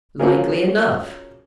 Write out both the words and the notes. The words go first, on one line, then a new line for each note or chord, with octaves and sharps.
Likely enough.
F3 G#3 C#4 F#4 G#4 A#4